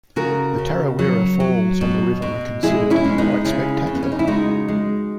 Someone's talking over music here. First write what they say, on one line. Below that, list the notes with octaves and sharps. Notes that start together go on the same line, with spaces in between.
The Tarawera Falls on the river are considered to be quite spectacular.
C#3 F#4 A#4
C#3
F#3
F#3
B2
B2
G#3 E4 G#4
C#4 E4
G#3
B3 D#4
C#3 C#4 E4
C#3
B3
C#4
D#4
E4
G#3 D#4 F#4
G#3